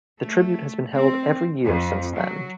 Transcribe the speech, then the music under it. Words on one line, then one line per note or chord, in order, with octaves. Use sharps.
The tribute has been held every year since then.
A3
C4
F2
F#3